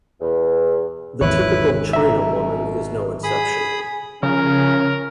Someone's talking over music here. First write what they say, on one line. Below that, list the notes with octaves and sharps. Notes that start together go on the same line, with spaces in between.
The "typical" "china" woman is no exception.
E2
G#1 E2 E4 B4 C#5 F#6
B2 E5 A#5
G#4 B5 D#6
C#3 F3 C#4 A#4